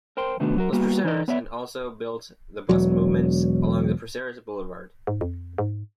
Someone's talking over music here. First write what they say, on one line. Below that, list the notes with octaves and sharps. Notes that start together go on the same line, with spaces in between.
Los Proceres and also built the bust monuments along the Proceres Boulevard.
A#4 C5 G5 C6
C3 D#3 A3 B3 D4 F#4
F#3 F#4 A#4
G3 A#3 B3 F#4
E3 D#4 D5 D#5
B3 C#5 D5 E5
E1 F#3
G#2
F2
G#2